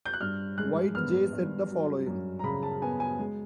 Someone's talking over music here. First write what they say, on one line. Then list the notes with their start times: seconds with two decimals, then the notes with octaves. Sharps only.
White J said the following.
0.05 G6
0.13 F#6
0.21 G2 F6
0.58 G#3 F#6
0.95 B3 F6
1.33 G2
1.70 F#3
2.07 F#2
2.39 A#5
2.44 C#3 B5
2.63 A5
2.82 B3 G#5
3.00 G#5
3.19 G#3